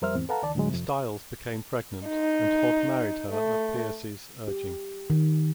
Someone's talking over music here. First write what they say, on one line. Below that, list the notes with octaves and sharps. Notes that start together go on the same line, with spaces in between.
Styles became pregnant, and Hogg married her at Pearcey's urging.
F2 G3 A#4 C5 E5 F6
E2 G#2 C4
A4 B4 F5 F#5 A5 A#5
C#2 D#3 D5 A5
D2 A2 D3 F#3 G#3
F2 C3
D#4
A3
G4
D#3